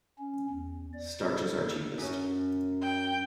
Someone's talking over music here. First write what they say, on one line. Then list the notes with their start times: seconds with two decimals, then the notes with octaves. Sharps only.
Starches are cheapest.
0.19 C#4
0.50 E2
0.94 D5
1.33 A4
1.98 F#2 C#4
2.82 G5